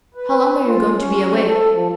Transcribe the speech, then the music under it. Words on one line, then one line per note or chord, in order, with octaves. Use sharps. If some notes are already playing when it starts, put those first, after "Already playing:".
"How long are you going to be away?"
B4
F4
C#4
C4
A4
F3